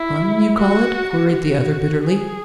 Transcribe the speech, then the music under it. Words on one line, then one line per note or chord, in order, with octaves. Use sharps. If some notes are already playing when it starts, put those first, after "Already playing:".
"Fun, you call it?" queried the other bitterly.
Already playing: E4
F#4
F#4
G#4